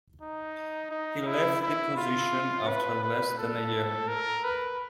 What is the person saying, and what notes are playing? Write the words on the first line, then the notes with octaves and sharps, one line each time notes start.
He left the position after less than a year.
D#4
D#4
E4
E4
F4
B4
B4
A4
A#4
B4